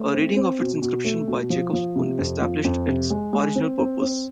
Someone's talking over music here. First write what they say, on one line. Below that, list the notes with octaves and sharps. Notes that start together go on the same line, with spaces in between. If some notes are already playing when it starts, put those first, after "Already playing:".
A reading of its inscription by Jacob Spon established its original purpose.
Already playing: A3
C4
C4
B2
B2
A3
B2
F3
F3
C3
F2
F3
F2
C3
G#3
G#3
C4
C4
C4